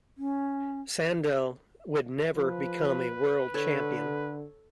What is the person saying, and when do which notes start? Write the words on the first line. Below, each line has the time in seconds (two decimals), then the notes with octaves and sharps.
Sandel would never become a world champion.
0.17 C#4
2.35 F3 B4
3.54 D3 A4 C#5